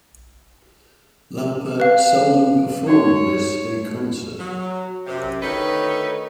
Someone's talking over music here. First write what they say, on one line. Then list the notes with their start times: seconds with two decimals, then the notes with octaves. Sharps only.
Lauper seldom performed this in concert.
1.80 B4 F5
2.87 D#4 F#4 C#5
4.39 F#3
5.07 F#2 C3
5.42 D2 D#3 A3 D#4 B4 C#5